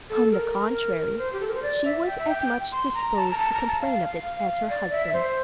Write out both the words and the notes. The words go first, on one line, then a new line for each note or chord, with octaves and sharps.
On the contrary, she was as much disposed to complain of it as her husband.
A4
A#4
C5
G4
A4
A#4
C5
D5
E5
G5
E5
G5
G5
C6
A#5
A5
A#5
A5
A#5
A5
F5
D5
E5
C5